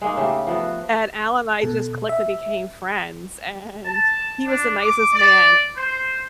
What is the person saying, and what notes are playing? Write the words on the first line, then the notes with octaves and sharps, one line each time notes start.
and Alan and I just clicked and became friends, and he was the nicest man
G#3 A#3 D#4
C#3 A3 G4
F3 A3 B3 F#4
B2 A4
E5
A5
D4
D6
D5
C5